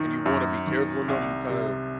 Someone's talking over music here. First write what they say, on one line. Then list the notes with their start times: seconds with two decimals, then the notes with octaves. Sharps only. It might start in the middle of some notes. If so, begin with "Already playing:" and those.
and you wanna be careful enough, you kinda
Already playing: F#2 D#3
0.26 F#2
0.67 D#3
1.08 C2
1.49 C3